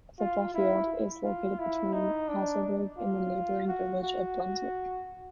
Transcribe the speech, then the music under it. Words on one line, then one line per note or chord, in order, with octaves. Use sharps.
A football field is located between Hazlerigg and the neighbouring village of Brunswick.
F4
E4
F4
E4
D#4
D4
F4
F#4
F#4